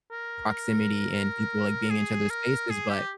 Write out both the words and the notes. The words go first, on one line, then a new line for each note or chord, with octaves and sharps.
proximity and people, like, being in each other's spaces, but
A#4
G#4
A#4
G#4
G4